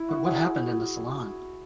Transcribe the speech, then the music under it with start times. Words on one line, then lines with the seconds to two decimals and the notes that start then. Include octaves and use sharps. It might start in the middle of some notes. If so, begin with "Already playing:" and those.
But what happened in the salon?
Already playing: E4
0.08 F#4
0.27 G#4